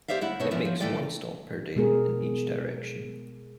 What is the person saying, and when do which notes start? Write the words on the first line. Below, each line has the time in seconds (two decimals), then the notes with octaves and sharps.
It makes one stop per day in each direction.
0.08 G4 C5 D5 E5 F5
0.21 D2 E4 F#5
0.40 B2 D#4 A4 C#5
0.51 E3 F3 D4
0.65 F3
0.80 D#2 A2 E3 A3 D5 G5
1.76 B2 G#3 B3 G#4 A#4